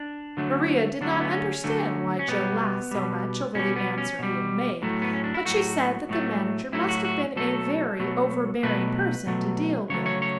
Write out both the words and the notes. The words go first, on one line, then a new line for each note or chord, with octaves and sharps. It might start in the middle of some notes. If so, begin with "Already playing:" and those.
Maria did not understand why Joe laughed so much over the answer he had made but she said that the manager must have been a very overbearing person to deal with.
Already playing: D4
D3 F#3 A3
D3 F#3 A3 D4
C#4
B3
C#4
D3 F#3 A3
C#4
B2 G3 B3
B2 G3
B2 G3 C#4
B3
C#4
B2 G3
A2 F#3 A3
B3
C#4
D4
E4
A2 F#3 A3 F#4
A2 F#3 A3
A2 F#3 A3 E4
F#4
F#4
B2 F#3 A3 A4
B2 F#3 A3
B2 F#3 A3 B4
B2 F#3 A3
C#3 F#3 A3 C#5
C#5
C#5